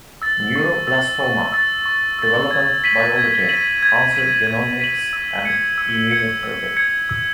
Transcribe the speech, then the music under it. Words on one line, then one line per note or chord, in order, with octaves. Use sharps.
Neuroblastoma: developmental biology, cancer genomics and immunotherapy.
E6 A6
C#6
E6 A6
C#6
E6 A6
C#6
E6 A6
G#6
B6 D#7 F#7
G#6
B6 D#7 F#7
G#6
B6 D#7 F#7
G#6
B6 D#7 F#7
E6
G#6 C#7
E6
G#6 C#7
E6
G#6 C#7
E6